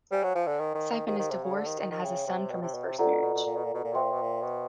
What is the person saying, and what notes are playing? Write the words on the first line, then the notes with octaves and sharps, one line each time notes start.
Siepen is divorced and has a son from his first marriage.
G3 C5 F5 G#5
F#3
F3
D3
D#3
D#3
D#3
D#3 G4 C5 F5
D#3
C3
C#3
D3
D#3
D#3
D#3
C#3 C#5 E5 G5
C3
B2
C3
B2
C3
C3 F4 A4 D5 F#5 A#5
B2
B2
B2
A#2
B2
A#2
B2
A#2
B2 C5 E5 G5 C6
A#2
B2
A#2
B2